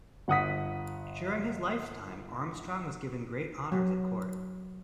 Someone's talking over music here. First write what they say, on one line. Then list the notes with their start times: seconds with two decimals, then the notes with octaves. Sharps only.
During his lifetime Armstrong was given great honours at court.
0.28 G1 F#5 D#6 B6
3.72 F#3